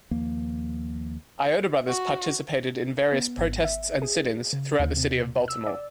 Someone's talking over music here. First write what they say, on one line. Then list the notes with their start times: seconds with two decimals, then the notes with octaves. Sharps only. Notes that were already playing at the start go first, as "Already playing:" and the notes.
Iota brothers participated in various protests and sit-ins throughout the city of Baltimore.
0.11 D#2 F3 A#3
1.88 F#4
3.12 B3
3.38 G#1
3.64 E5
4.02 G#4
4.53 C#3
4.79 D#2
4.97 C3
5.48 E6
5.66 D5